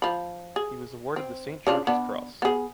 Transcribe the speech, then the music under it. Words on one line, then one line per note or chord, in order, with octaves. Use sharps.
He was awarded the St. George’s Cross.
F3 B5
G#4
C4
C#3 D4 F4
B3 D4
B3 G#4